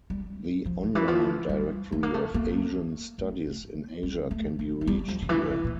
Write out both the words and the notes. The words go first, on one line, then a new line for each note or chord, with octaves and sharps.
The online Directory of Asian Studies in Asia can be reached here.
G3
F3
D3
E3
F3
G3
A3
A#3
A3
A#3
A3
A3
A3
G3
A3
A3
A3
G3
F3
D3
E3
E3
A#2